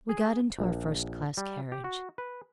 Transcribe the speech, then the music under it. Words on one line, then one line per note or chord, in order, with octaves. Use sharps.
We got into our first-class carriage.
G#4
A#1
G3
G4
F#4
B4